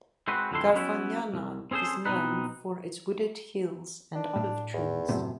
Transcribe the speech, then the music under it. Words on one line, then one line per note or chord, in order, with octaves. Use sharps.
Garfagnana is known for its wooded hills and olive trees.
G#3 C4 F#4 B4
F2 D3 G3 E4 A4 C6
F#3 B3 C#4 E4
C2
C4 C#4 G#4 A4 C5
B2 C4 D#4 B4
D4
A2
E2
F#2 A2 C3